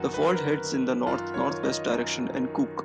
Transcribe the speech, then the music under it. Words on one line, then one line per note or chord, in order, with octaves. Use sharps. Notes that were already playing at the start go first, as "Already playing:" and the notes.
The fault heads in the north north west direction in Cook.
Already playing: F#2 D#3 F#4
B4
F#2 A#4
D#3
F#2 F4
C#5
D#3
D#5
F#2
D#3